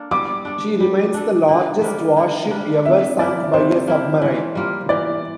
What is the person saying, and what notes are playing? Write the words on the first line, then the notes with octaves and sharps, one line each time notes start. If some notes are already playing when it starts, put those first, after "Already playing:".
She remains the largest warship ever sunk by a submarine.
Already playing: A#3 D4 A4
G3 D6
D4 A4
G3
D4 A4
D3
G3 A#3 D4
D3
G3 A#3 D4
C3 E5
F3 A#3 E4 D5
C3 C5
F3 A#3 E4
E3
G3 A#3 F4
E3 D5